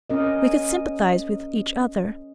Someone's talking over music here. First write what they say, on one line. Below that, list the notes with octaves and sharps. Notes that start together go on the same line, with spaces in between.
We could sympathize with each other.
C#4 A#4 D#5